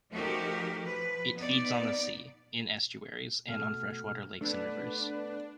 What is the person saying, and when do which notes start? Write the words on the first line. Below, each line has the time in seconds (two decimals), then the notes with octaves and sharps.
It feeds on the sea, in estuaries, and on freshwater lakes and rivers.
0.12 F3 A3 D#4 F#4 G4 A#4
0.83 F3 B4
1.35 B3 D#4 D5
3.49 B2 A3 F6
4.41 A3 B3 D4 B4